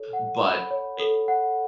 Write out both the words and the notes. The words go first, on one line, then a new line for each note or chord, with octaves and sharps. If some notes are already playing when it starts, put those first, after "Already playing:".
but i
Already playing: A4 C#5
F#5
B5
C#5
A4
F#5